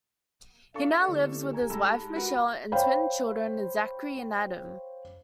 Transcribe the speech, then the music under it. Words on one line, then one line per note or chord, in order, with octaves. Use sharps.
He now lives with his wife, Michele, and twin children, Zachary and Adam.
D4 A4 D5 F5 C#6 A6 A#6
D2 A#3 E4 G4
G#5 A#5 G#6
G#2 A4 A5 B5 A#6
F#4 A#4 B4 F#5 B5
C5 C#5 F5 G5 B5